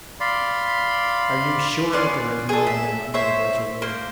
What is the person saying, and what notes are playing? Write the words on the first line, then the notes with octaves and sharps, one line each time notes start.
"Are you sure that there is no one in our neighbor's room?"
D5 F5 B5 C6
B3 C#4 D5 C6
G#4 A4
E5
C5 C#5 E5
A#3 C5